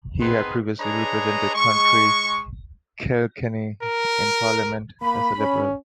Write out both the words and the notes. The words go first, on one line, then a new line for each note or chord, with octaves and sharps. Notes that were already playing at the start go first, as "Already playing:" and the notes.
He had previously represented County Kilkenny in Parliament as a Liberal.
B3 C4 D#4 G#4 B4 C6
D4 G#4 B4 C#5 D#5 A#5
G#3 C#6
A#4
A#3 B5
C#4